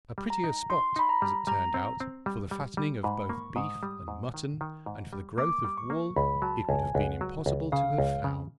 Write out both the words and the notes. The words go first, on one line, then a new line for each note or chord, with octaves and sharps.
A prettier spot, as it turned out, for the fattening of both beef and mutton and for the growth of wool, it would have been impossible to have found.
G3
A#5
D#4
D#4 C6
D#4 B5
A#5
G3
G3 A#5
C4
C4
G3
G3
G3
G#2 B5
A#3 C#6
G#2 D#6
G3
G#2
D#3
D#3
G#2
G3
A#3 D6
G3
C#6
A#3
C#2 B5
F#3 A5
C#2 G#5
C#2 F#5
F#3
C#2
C#3 F5
C#2
C#3